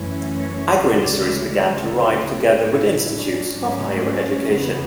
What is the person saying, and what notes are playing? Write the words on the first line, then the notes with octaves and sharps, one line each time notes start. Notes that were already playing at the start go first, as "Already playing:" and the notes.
Agroindustries began to arrive together with institutes of higher education.
Already playing: F#2 E3 A3 C#4
C#5
D2 C#3 E3 G#3 D5
C#5
D2 C#3 F#3 A4
A2 F#3 C#4 E4
D4
G#2 F#3 A3 C#4
E2 C#3 F#3 B3